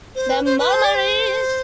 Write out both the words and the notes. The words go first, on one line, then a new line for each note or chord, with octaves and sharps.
The memories!
C5
B4
C5
B4
C5
D5
C5